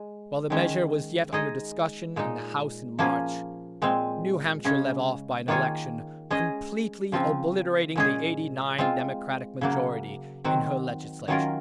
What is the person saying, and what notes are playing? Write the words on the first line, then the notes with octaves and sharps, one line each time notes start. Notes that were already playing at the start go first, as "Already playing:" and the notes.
While the measure was yet under discussion in the House in March, New Hampshire led off by an election completely obliterating the eighty-nine Democratic majority in her Legislature.
Already playing: G#3
D#3 G#3 C#4
G#3 D#4 G#4 D#5
A#2 G#3 D#4
F3 A#3 C#4 G#4
A#2 G#3 C4
C#3 G#3 C#4
D#3 A#3 F4 G#4 C#5
G#3 C#4 G#4 D#5
C#3 F3 C4 F4
A#2 G#3 C#4 G#4
G#3 C4 F4
C#3 F#3 A#3
D#3 F#3 C4 F#4
D#3 F#3 C#4 F4 A#4